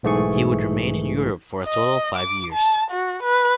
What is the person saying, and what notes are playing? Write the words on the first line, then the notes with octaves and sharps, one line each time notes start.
He would remain in Europe for a total of five years.
B1 G#2 E3 A3 G#4 C#6
D#5
D6
A5
F#4
B4